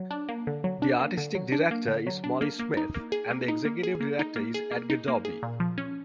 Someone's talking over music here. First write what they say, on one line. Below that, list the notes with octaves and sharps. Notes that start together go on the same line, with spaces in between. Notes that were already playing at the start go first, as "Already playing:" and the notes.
The Artistic Director is Molly Smith and the Executive Director is Edgar Dobie.
Already playing: F#3
D4
A#3
D3
F#3
D4
A#3
D3
F#3
D4
A#3
D3
F#3
D4
A#3
A#3
D#4
A#3
G#4
A#3
D#4
A#3
G#4
A#3
D#4
A#3
G#4
A#3
D#4
A#3
G#4
A#2
F3
C#4